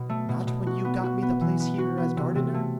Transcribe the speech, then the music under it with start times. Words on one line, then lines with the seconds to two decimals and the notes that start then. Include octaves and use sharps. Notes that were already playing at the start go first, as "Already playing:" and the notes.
"Not when you got me the place here as gardener?"
Already playing: B2
0.09 A3
0.29 B2
0.47 B2
0.67 F#4
0.85 B3
1.03 F#4
1.22 B3
1.41 E3
1.60 B3
1.78 F#4
1.97 B3
2.17 C3
2.35 C3
2.54 A3